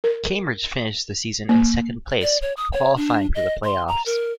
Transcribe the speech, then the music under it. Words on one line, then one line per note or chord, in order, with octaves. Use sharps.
Cambridge finished the season in second place, qualifying for the play-offs.
A#4
A#3
D5
C#5
D#6
C#5
D4
D#5
C6
A#5
A#4